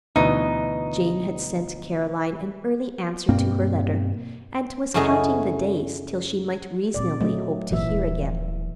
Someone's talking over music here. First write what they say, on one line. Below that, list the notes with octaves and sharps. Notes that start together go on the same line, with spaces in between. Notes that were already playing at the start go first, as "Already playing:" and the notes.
Jane had sent Caroline an early answer to her letter, and was counting the days till she might reasonably hope to hear again.
D2 B2 E3 D#4
G2 B2 A#3 C4
F#2 C#3 A3 E4 G#4 D#5
A#2 C4 D5
F#3 A3 D#5
G#1 A#2 E3 E5
D#1